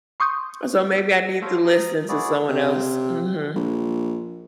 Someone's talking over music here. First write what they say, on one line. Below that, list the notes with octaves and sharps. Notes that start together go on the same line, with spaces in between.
So, maybe I need to listen to someone else Mhm.
C6 C#6 D#6 G6
A4 C5 C#5 F5
A#5 D#6
E4 F#4 G#4 D5
C3
A#1